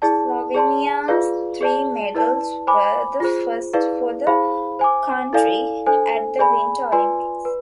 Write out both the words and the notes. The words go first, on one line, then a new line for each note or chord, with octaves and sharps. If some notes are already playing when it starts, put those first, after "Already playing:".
Slovenia's three medals were the first for the country at the Winter Olympics.
E4 G#4 D5 A5
G#4 D5 A5 C6
F4 G#4 B4 D5 F5
G#4 D5 A5
E4 B4 D5 A5
C5 G#5 B5 D6
F4 G#4 C5
E4 G#4 B4 D5 F5
E4 G#4 C5 F5 B5
C5 G#5 D6
E4 A4 D5 F5 G#5
D4 A4 C5 G#5
G#4 D5 G#5 B5
F4 B4 D5 G#5 C6
B4